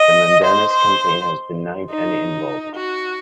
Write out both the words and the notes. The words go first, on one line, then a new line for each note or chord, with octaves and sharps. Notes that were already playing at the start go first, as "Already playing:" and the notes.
The Menendez campaign has denied any involvement.
Already playing: D#5
C5
C5
D#4
F#4